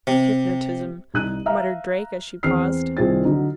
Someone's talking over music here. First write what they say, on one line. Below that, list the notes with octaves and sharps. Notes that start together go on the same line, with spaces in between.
"Hypnotism," muttered Drake, as she paused.
C3
C2 D#4 F#6 D#7
E5 F5 A#5 F6
E2 C4 F6 C7
C2 D#3 C4 F4 G#4 A6
D3 F#3 D#4